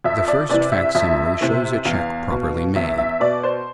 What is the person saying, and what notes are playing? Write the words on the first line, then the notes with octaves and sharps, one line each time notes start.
The first facsimile shows a check properly made.
F2 E5
D5
C3 E3 D5
E5
F2 E5
C3 E3
E2 F5
B2
E2 E5
E5
B2 D5
C5